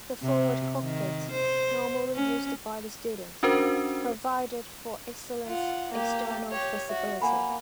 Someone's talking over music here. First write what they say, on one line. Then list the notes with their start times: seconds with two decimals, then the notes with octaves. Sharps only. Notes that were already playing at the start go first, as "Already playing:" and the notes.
The forward cockpit, normally used by the student, provided for excellent external visibility.
0.23 C3
0.82 D#3
1.31 C5
2.15 C#4
3.43 C#4 D4 F#4 A#4 C5
5.46 F4 F#5
5.92 A#3 G4
6.52 G4 C#5
6.89 F#4 E5
7.22 A#3 F#5 G#5 B5